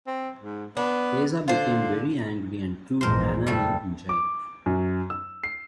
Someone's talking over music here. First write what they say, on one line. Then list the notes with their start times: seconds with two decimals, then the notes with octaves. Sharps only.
Asa became very angry and threw Hanani in jail.
0.07 C4
0.39 G#2
0.77 B3 D4
1.48 D3 F4 C5
3.01 A#1 E2 G#2 A#4 C5
3.47 F#1 G3 A3 A4
4.09 D6
4.66 F#2
5.10 E6
5.44 C7